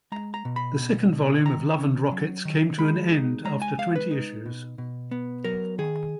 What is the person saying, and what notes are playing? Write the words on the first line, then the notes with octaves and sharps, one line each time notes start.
The second volume of "Love and Rockets" came to an end after twenty issues.
G#3 A#5
A#5
B2
B5
B2
B2
D#3 A#5
C#4
F#3
D#3
G#3 B5
D#4
G#3 A#5
G#5
G#3 F5
B4
D#4
B2
B2
B3
F#3 A#4
D#3 G#4